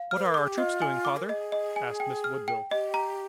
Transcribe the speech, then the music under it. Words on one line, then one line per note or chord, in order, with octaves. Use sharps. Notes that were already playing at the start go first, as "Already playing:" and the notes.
"What are our troops doing, father?" asked Miss Woodville.
Already playing: F5
F6
C5
A#4
G#4 D6
G4
F4 D#5
G#5
D6
A#4
G#4 D#5
D#5
G#5
G5
F6
G5
G4 D#5
A#5